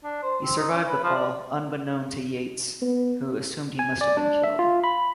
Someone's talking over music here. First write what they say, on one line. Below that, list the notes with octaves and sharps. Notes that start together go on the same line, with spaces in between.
He survived the fall, unbeknown to Yates, who assumed he must have been killed.
D4
C5
C4
D#4
C#4
B4
F3
D5
B3
G#5
D5
D4
E5
F4
B5